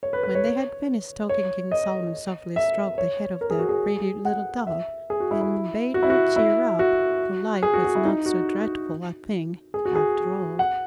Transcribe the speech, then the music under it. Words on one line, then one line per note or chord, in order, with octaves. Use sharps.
When they had finished talking King Solomon softly stroked the head of the pretty little Dove and bade her cheer up, for life was not so dreadful a thing, after all.
C#5
B4
B4
C#5
C#5
D#5
E5
C#5
A#4
G#4
F#4
G#4
F#5
E5
G#4
F#4
E4
E4
F#4
E4
F#4
E4
F#4
G#4
F#4
F#4
E4
D#4
F#4
G#4
F#4
G#4
F#5